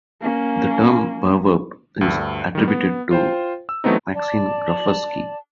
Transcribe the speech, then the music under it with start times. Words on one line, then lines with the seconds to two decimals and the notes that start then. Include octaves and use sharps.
The term perverb is attributed to Maxine Groffsky.
0.21 A#3 C#4
2.01 D2 G2
2.55 D#3 G3
2.68 B3
3.11 F4 C5 G5
3.69 E6
3.84 E3 F#3 A3 B3 C4 D#4
4.15 D5 A5